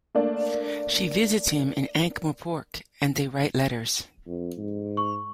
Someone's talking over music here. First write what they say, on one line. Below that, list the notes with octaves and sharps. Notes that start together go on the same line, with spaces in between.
She visits him in Ankh-Morpork, and they write letters.
A3 A#3 D4
F2
G#2
C#6